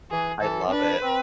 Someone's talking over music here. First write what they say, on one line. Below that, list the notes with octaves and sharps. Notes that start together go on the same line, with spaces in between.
I love it.
E3 G#4
E3 A4
C4
D4 B4
C4